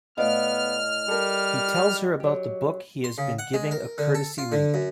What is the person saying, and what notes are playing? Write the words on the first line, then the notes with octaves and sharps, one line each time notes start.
He tells her about the book he has been giving a courtesy read.
A2 B3 D5 D#5 F5 F6
G3 A4 A#4
F#3 G4
C6
C#3
F#5
G#3
A#4
D3
A4
F4
D3
F#2